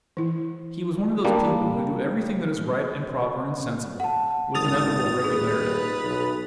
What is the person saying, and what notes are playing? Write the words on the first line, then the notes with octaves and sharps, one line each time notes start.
He was one of those people who do everything that is right and proper and sensible with inevitable regularity.
E3 E4
G3 A#3 D4
F#5 A5
G#1 D#6 A6 F7
D#1 G#4 B4
B1